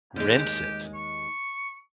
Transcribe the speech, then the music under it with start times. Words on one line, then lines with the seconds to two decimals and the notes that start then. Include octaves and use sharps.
Rinse it?
0.16 D#2 G#3 G4
0.95 C#6